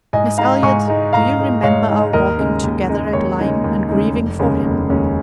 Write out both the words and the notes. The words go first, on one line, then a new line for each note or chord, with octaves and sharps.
Miss Elliot, do you remember our walking together at Lyme, and grieving for him?
G#2 D#5 G#5
G#3 D#4 F5 A#5
G#2 G#5 C#6
G#3 D#4
G#2 F5 A#5
G#3 D#4
G#2 C#5 F5
G#3 D#4
D#2 A#4 D#5
C#3 G#3 D#4
D#2
C#3 G#3 D#4
D#2 C#5
C#3 G#3 D#4
D#2
C#3 G#3 D#4
F1
D#2 C#3 G#3 C#4
F1
D#2 C#3 G#3 C#4